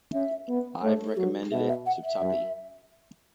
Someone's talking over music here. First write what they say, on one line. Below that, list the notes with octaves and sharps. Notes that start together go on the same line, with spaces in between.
I've recommended it to Tuppy.
C#4 E5
B3
A3 C#5
A4
F#3 F#4
B2 E5
E5
F#5
E5
F#2